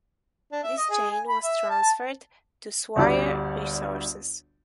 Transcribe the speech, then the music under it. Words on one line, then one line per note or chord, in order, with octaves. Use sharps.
This chain was transferred to Swire Resources.
D4
E5
D#5
G#4
G#5
B5
E5
A5
A5
G1 D2 G3 D5